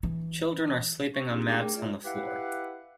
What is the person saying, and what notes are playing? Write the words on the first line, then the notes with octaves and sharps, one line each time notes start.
Children are sleeping on mats on the floor.
E3
C#6
A#3 C4 D4 D#4 G4 G#4
A3 G#4 A#4 G5 D6
F4 D5 E5
E4 G4 B4 F5 F#5